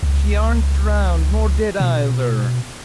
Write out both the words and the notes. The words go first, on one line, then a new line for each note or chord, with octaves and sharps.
She arn't drowned; nor dead eyther!
C#2
B2